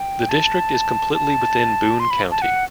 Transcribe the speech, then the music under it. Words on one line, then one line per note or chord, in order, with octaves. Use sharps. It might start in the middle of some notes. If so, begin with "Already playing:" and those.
The district is completely within in Boone County.
Already playing: G5
A5
A5
C6
B5
A5
F#5